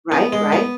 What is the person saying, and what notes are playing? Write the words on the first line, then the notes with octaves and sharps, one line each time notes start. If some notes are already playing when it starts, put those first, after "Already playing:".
Right, right.
B3
G#3
B3